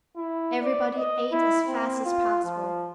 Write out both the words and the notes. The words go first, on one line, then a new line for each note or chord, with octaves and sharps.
Everybody ate as fast as possible.
E4
D5
D#5
E4
C4
F4
F3